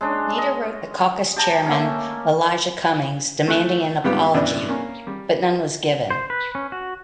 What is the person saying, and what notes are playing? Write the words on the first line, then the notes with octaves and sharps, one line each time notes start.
Nader wrote the caucus chairman, Elijah Cummings, demanding an apology, but none was given.
G#3 C#4 D4
D#5
G4 A5 A#5
A3 A#3 C#4
A3 F#6
G#2 G3 B3 F4 G4
F#2 B2 E3 D4 D5
A#3 C#4
G3
C5
B4
C#4
F#4